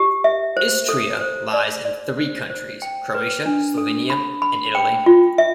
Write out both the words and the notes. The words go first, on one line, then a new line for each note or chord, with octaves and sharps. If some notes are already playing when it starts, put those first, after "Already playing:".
Istria lies in three countries: Croatia, Slovenia and Italy.
Already playing: G4
E5
C5
A4
C5
D5
D5
C5
C5
G5
B4
D4
A4
B5
B5
G5
F4
E5